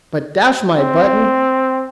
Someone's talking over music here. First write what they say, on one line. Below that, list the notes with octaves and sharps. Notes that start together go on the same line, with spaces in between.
But dash my buttons!
C4